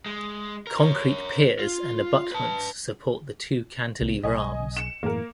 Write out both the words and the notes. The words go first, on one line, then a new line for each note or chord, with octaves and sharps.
Concrete piers and abutments support the two cantilever arms.
G#3
A#4
A#4 C#5
F4
B4 A5
C2 A#3 B3
B1 D#5 G#5
C#7 E7
F#2 A2 E3 A#3 A#4